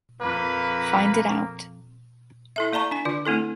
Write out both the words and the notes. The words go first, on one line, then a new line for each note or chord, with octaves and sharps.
Find it out!
F2 F3 A#3 B4
E4 A4 E5
A#3 D5 A5 A#5 C#6
D4 G#5
D3 F4 D5
A3 C4 E4 A4